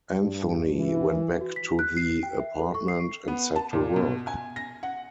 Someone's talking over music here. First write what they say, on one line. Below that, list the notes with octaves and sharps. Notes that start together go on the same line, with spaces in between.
Anthony went back to the apartment and set to work.
G2
E3
F#4
B6
F#6
C7
G5
E5
A4
C#6
C7
B3
A5
A#2
B2
G#5
A#6
F#5